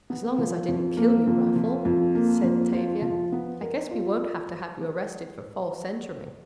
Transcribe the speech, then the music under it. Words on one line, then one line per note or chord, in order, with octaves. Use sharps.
"As long as I didn't kill you, Raffle," said Tavia, "I guess we won't have to have you arrested for false entering."
B3
F3
F2
A#3
F2
F3
F2
A#3
F2
F4
F3
B3
A#4
F4